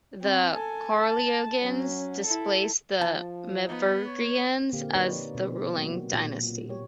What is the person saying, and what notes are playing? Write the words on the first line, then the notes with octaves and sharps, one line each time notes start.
The Carolingians displaced the Merovingians as the ruling dynasty.
C4
A4 G#5
A5
F#3 C#4
E4 A4
F3 A5
B3 D#4
C#5
A#2 D3 A#3 C4 G4 F5
D#4 G4 B4 C#5 D5
B2 C4
F#3 A#3 F#4
A#2
G4 C#5